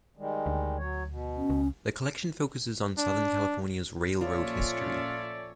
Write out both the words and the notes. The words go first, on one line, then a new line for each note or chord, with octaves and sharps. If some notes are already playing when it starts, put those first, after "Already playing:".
The collection focuses on Southern California's railroad history.
D#3 G3 G#3
D2
F#3 C#5
B2
C#4
C#2
D4
A#2 F3 C#4 F4 A4 C#5 D5 E5